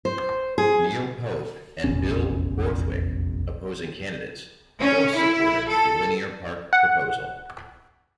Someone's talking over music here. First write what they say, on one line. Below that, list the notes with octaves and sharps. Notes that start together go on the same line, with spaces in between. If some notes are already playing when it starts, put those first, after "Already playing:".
Neil Pope and Bill Borthwick, opposing candidates, both supported the linear park proposal.
C5
G#4
F1 A#1 E2 C#4
C#4
E4
A4
F#5